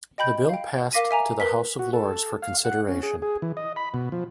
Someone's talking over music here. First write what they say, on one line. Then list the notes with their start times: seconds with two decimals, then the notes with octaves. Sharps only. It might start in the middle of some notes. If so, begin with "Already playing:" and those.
The bill passed to the House of Lords for consideration.
0.18 D#5 G5 B5 G6
0.49 F5 G5
0.93 A#4 F5 D6 A#6 B6 D#7
1.11 E5 G#5 A#5
1.40 A#4 B4 B6
1.79 F#4
1.93 A4
2.42 F5
2.65 F#5
2.89 C#4
3.03 G#4
3.22 G#4
3.42 E3
3.57 D#5
3.76 B5
3.94 B2
4.12 F3